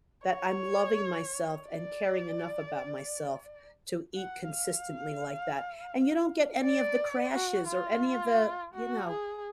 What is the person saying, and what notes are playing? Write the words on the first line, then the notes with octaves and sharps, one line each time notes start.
that I'm loving myself and caring enough about myself to eat consistently like that and you don't get any of the crashes or any of the you know,
C#5
D5
F#5
F5
D5
F#4
F4
F#4
G#4